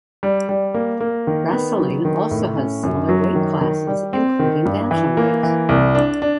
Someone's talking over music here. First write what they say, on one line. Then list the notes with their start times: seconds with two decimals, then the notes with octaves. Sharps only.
Wrestling also has similar weight classes including bantamweight.
0.23 G3
0.49 G3
0.74 A#3
1.00 A#3
1.27 D#3
1.53 B3
1.79 F#3
2.05 D#3
2.31 A2
2.57 C#4
2.83 F#2
3.09 F#3
3.35 D#3
3.61 D#3
3.87 G3
4.13 C4
4.39 D#3
4.65 G2
4.91 E3
5.17 A#3
5.43 E3
5.69 C2
5.95 D4
6.22 D4